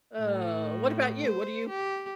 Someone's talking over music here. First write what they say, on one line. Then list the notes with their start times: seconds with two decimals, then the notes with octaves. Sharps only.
Uh, what about you? What do you
0.21 A2
1.26 C5
1.68 G4